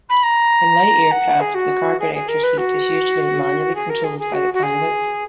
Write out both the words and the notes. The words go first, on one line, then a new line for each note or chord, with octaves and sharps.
In light aircraft, the carburetor heat is usually manually controlled by the pilot.
B5
A#5
F#5
G#4
F#4
G#4
G#4
A#4
B4
F#4
G#4
A#4
G#4
G#4
F#4
F#4
G#4